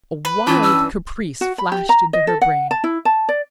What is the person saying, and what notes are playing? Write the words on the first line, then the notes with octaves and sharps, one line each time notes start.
A wild caprice flashed into her brain.
B4
G2 E3 C#4 F4 A5
E6
F#4
B5
G4
A#5
D#5
A4
F#5
A5
E4
A5
D5